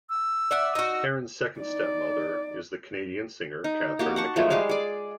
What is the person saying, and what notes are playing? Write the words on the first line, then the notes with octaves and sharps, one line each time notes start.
Harron's second stepmother is the Canadian singer Catherine McKinnon.
E6
D5 E5 F#5
D#4 F#4
D#4 D5
D#4
A#3 F#4 G4
F#5 A5 C#6
F3 F#3 G#3 A3
G3 G#3 G#4 F5
G#4 D5